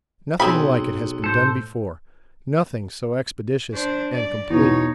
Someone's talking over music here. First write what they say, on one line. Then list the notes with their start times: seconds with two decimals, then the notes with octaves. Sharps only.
Nothing like it has been done before; nothing so expeditious and complete.
0.40 B1 C4 G#4 B5
1.24 A2 A4 C5
3.74 D4 C5
4.13 D5
4.50 E2 B2 D#4 C#5